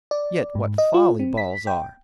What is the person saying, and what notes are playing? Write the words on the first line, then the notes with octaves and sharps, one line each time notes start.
Yet what folly balls are!
D5
G#2
D#5
F4
C4
B6
G5